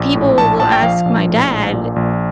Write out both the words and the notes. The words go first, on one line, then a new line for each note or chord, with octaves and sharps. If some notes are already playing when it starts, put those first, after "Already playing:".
people will ask my dad
Already playing: A#1
A2
A#1 A5
F3 A5
G5
F3 F5
A#1
A2
A#1
A#2
A#1